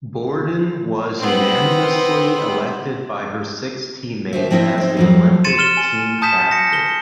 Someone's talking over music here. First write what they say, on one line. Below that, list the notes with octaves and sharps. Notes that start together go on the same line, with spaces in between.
Borden was unanimously elected by her six teammates as the Olympic team captain.
B3 C4
D#2 C5 E5
F3 C4 E4 D#5 E5
C4 D#4
F2 F3 F#3
C6 A6 C#7 D#7 E7
C6 F6 E7 G7
G#5
A5 D#6 G6 B6 E7
A#6 C#7
G7